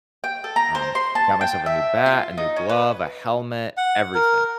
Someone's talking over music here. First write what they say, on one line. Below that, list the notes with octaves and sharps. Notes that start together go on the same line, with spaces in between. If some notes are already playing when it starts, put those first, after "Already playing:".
um, I got myself a new bat, a new glove, a helmet, everything,
G5
A4
A#5
C5
C6
A5
G5
E5
F4
D#4
C#4
B4
F#5
A#4